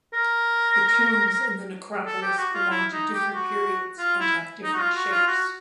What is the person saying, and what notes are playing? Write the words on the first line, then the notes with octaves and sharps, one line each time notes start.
The tombs in the necropolis belong to different periods and have different shapes.
A#4
A4
G4
F#4
F4
E4
D#4
G4
F#4
F4
E4
D#4
F#4
F4
F#4
F4
F#4